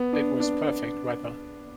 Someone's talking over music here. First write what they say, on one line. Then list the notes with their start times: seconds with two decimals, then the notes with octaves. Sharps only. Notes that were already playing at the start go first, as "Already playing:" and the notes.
It was perfect weather.
Already playing: B3
0.13 D4
0.40 D4